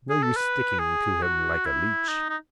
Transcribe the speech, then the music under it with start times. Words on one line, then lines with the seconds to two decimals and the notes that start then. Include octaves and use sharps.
No use sticking to him like a leech.
0.10 G#4
0.23 A4
0.36 B4
0.79 G#4
1.22 F#4
1.65 E4
2.08 D#4
2.29 D#4